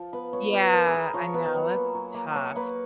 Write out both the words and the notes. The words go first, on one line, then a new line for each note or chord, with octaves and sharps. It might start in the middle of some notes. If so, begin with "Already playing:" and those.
Yeah, I know, that's tough.
Already playing: F3
B3 B4
B3 C#5
B3 B4
B3 A#4
G#4
B3 A#4
F3 C#5
B3 B4
F#3
A#3
F#3
A#3
A#3 C#5
A#3 B4